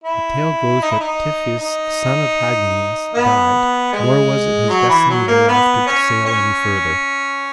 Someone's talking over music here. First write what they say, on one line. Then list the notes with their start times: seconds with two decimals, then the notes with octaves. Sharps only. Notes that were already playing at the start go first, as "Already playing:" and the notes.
The tale goes that Tiphys son of Hagnias died; nor was it his destiny thereafter to sail any further.
0.04 E4
0.82 D#4
0.91 E4
1.00 D#4
1.59 D#4
3.15 B3
3.93 G#3
4.70 F#3
4.89 E3
5.09 F#3
5.28 A#3
5.48 B3
5.87 C#4
6.26 C#4